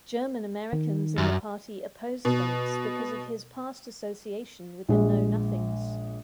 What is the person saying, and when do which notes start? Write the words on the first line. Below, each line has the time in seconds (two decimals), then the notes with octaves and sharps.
German-Americans in the party opposed Bates because of his past association with the Know-Nothings.
0.73 D#3
1.18 F#2
2.25 B2
4.89 A#1 G#3